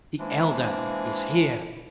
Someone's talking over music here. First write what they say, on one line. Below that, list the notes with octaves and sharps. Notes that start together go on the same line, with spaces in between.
"The elder is here."
E3 F3 G#3 A#3 D4